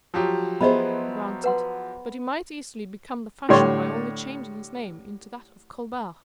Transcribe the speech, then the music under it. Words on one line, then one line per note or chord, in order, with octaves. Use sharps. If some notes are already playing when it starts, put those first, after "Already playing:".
"Granted, but he might easily become the fashion by only changing his name into that of Colbert."
F3 F#3 G4
B3 G#4 C5 D#5 E5 B5
B4 F#5 C6
A2 D3 G3 C#5 C6 C#6